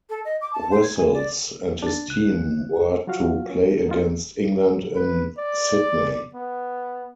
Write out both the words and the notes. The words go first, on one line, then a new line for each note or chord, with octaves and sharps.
Wessels and his team were to play against England in Sydney.
A4
D#5
D6
A5
C5
G#6
G#5
D5
D4 A6
C#2 F#6
F#3 F4 F#4 F5
C#4
F#3 D#4 F4
B4
D5
B3